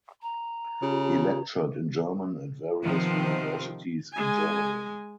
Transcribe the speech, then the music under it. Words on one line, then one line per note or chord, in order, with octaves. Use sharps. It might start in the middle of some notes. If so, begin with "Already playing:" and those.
He lectured in German at various universities in Germany.
A#5
C#3 F4 G4
C3 D#3 F3 B3 C4
G#3 G#5